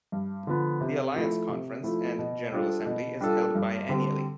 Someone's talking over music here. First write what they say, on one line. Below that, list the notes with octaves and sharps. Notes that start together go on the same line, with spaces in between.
The Alliance conference and general assembly is held biennially.
G2
D3 F3 B3
C3
F3 A3 E4
C3
F3 A3 E4
B2
G3 D4 F4 A4
B2
G3 D4 F4 A4
G2
D3 G3 C4